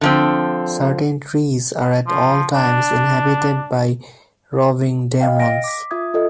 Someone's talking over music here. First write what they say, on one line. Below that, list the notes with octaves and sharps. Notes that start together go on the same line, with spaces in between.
Certain trees are at all times inhabited by roving demons.
D3 F3 C4
F3
D4
D#5 F5 G5
A#6 D7
D6 B6
F4 E5 D#6 G#6
F4 A4 D#5